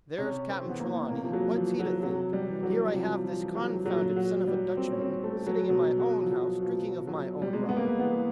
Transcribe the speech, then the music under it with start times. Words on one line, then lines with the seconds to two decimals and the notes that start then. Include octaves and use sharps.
There's Cap'n Trelawney--what's he to think? Here I have this confounded son of a Dutchman sitting in my own house drinking of my own rum!
0.18 C3 C#4
0.49 C4
0.65 E3 B3
0.80 A#3
1.11 C3 A#3
1.24 F3
1.33 F#3
1.56 E3 F3
1.79 F#3
2.02 C3 F#3
2.33 G3
2.48 E3
2.63 F#3
2.94 C3 F3
3.24 F3
3.40 E3
3.55 F#3
3.86 A#2 F#3
4.16 F#3
4.47 G3
4.77 A#2 C4
4.92 C#4
5.01 C4
5.24 A3
5.47 F#3
5.69 B2 F#3
6.00 F#3
6.21 F3
6.31 F#3
6.62 B2 F3
7.07 F#3
7.42 G3
7.53 C3 G#3
7.69 B3
7.77 A#3
8.00 E3 B3